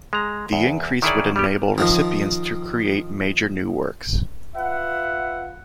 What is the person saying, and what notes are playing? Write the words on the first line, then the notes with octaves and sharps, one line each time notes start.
The increase would enable recipients to create major new works.
G#3 A#5
E2
D#3 E3 E4 G#4 C#5 D5
G3 B3 G4
D#3 F3
F4 B4 E5 F#5